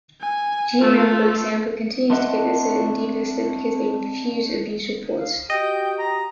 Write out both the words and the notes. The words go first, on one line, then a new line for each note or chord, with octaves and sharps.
Gmail, for example, continues to get listed and delisted because they refuse abuse reports.
G#5
A3 F4
A3 C4 D4 D#5 E5 F#5
F5
F#4 G4 D#5 G5
A#5